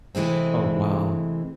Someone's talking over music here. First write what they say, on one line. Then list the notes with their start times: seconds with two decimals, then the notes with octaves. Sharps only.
Oh wow.
0.15 C3 E3 G#3 A3 C4